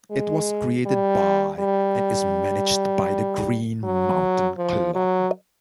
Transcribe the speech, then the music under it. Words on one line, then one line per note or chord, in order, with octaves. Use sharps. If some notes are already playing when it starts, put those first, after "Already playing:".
It was created by and is managed by the Green Mountain Club.
G#3
G3
G3
F#3
F3
F#3